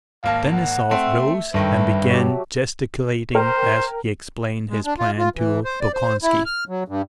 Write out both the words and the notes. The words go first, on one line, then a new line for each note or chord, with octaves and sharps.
Denisov rose and began gesticulating as he explained his plan to Bolkonski.
G#1 A#3 F5 A5
F#5
A3 C4 E5
G#1 G2 D#3 A3 B4 G5
F#3 G4
A#4 C5 G5 F6
G#3
D4
F4
F4
E3
C5
D5
C5
E4
F6
F#3
G2